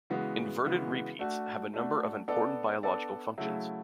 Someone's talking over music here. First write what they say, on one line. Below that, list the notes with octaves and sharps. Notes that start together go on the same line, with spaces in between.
Inverted repeats have a number of important biological functions.
C#3 E3 G#3 B3 F#4
C#3 E3 G#3 B3 F#4
A3 D4 F#4
A3 D4 F#4
B3 D4 A4 D5
B3 D4 A4 D5
C#3 F#3 A3 E4